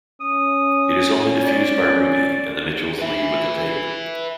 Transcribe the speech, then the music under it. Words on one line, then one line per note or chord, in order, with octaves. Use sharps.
It is only diffused by Ruby, and the Mitchells leave with the tape.
C#4 D#6
D5
B4 E5